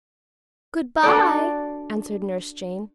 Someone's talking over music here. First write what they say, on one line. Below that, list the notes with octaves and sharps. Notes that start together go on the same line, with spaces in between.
"Good-bye!" answered Nurse Jane.
D4 F#4 A4 D5